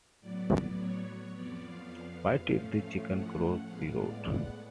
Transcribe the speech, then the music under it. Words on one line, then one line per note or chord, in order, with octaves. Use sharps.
Why did the chicken cross the road?
A2 F#3 B3 D5
C#5
F2 F3 B3 D5
F5
F5
A2 F3 A3 C#4
F#5
F#5
A2 G#3 B3 F5
D5
F#5